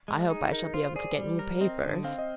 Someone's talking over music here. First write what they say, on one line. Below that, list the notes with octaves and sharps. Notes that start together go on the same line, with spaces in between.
I hope I shall be able to get new papers.'
G#3
D#4 G#4
D#4 A#4
F4 C5
G#4 D5
G3 D5
A#4
C4 D#5
D3
C4 F5
D#5